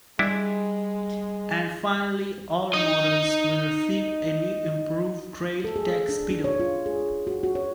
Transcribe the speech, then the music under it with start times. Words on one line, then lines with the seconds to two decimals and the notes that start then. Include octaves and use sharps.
And finally all models will receive a new improved Trail Tech speedo.
0.19 G3 G#3 D4 E4
2.74 D#4 D#5
5.64 A4
5.76 G#4
6.09 D4
6.30 D4
6.44 C#5
6.60 F4
6.86 G#4
7.27 F#4
7.43 F#4
7.55 C#5